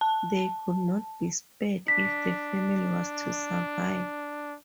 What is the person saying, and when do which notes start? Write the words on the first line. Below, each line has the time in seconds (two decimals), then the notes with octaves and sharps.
They could not be spared if the family was to survive.
0.01 A5
1.88 D4 B6